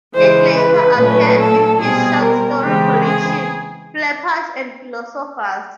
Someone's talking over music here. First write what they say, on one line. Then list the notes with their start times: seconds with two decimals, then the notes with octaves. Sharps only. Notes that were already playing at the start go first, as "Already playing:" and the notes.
It later appeared in his short story collection "Flappers and Philosophers".
0.14 C#3 E3 G#3 C5
0.56 B4
0.97 A#2 F#3 A3 C#4
1.39 A4
1.80 B2 G3 C4 G#4
2.21 A#4
2.62 C#3 E3 G#3 C4 G4
3.04 G#4